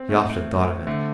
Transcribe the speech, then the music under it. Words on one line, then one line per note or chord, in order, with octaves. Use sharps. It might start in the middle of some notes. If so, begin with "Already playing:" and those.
He often thought of it.
Already playing: C4
A2 A3
D3 A3